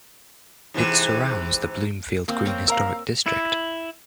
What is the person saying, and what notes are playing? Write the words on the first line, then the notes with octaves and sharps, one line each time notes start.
It surrounds the Bloomfield Green Historic District.
G#2 C3 E3
A#3 C4
C4 C#5 A#5
A#4 F5 A#5 E6
E4